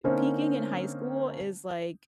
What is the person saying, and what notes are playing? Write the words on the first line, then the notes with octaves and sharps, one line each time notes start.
peaking in high school is, like
D3 A#3 C4 C#4 D#4 C5